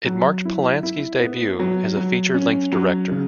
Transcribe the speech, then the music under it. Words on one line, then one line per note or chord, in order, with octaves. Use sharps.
It marked Polanski's debut as a feature-length director.
F#3
E4
E4
B3
F#3
F#3
C#4
F#3
C#3